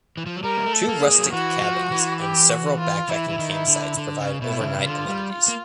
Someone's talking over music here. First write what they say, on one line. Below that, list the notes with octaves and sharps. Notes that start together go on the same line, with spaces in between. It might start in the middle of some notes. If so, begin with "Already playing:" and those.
Two rustic cabins and several backpacking campsites provide overnight amenities.
E3
F3
F#3
G3 A#4
A#3
A3
A4
A#3
G#4
A#3
F#3
F3
E3 F#4
F3
E3
G4
F#4
F4
E3 E4
E3
D#3
E4
D3
D3
C#3
B2 E4
D3
C#3
C#3
D3 F4
G3
F4
A#3